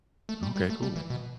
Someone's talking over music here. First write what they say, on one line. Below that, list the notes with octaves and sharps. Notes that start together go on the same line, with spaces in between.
Okay, cool.
A3
G3
G3
A3
G3
E3
B2